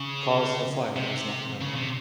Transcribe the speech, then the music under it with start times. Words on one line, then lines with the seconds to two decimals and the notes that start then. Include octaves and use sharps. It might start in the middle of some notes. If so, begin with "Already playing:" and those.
The cause of the fire was not known.
Already playing: C#3
0.96 C3
1.61 C#3
1.76 C3